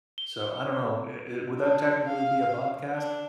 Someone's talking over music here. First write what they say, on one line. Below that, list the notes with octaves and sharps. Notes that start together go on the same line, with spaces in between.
So I don't know, it it would that technically be a podcast?
G7
D4
F5
D4